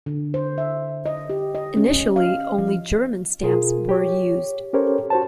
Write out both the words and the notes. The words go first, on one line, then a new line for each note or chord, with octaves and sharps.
Initially only German stamps were used.
D3
C5
E5
D#5
G4
D#5
C#4
F5
F3
B2 F4 G#4 A#4
G4 C#5
C#4 G4 A4 A#4 C5 C#5
F#4 C5 A5